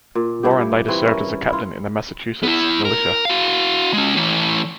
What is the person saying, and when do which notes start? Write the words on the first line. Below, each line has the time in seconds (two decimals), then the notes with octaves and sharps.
Warren later served as a captain in the Massachusetts Militia.
0.15 A#2
0.43 G2 E4 G4
0.88 G2 E3 C4
1.05 C#4 E4 A#4
1.48 E4 F4
2.43 B3 E4
2.85 A#4
3.25 F#4 F5
3.93 G#3 C#4
4.15 A2 E3